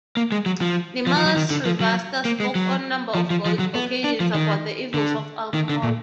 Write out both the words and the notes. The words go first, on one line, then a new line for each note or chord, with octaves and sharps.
Nirmala Srivastava spoke on a number of occasions about the evils of alcohol.
A#3
G#3
F#3
F3
F3
F3
F#3
D#3
D3
F3
F#3
A#3
G#3
F#3
F3
F3
F3
F#3
B3
D4
F3
D#3
D3
D#3
D3
A#2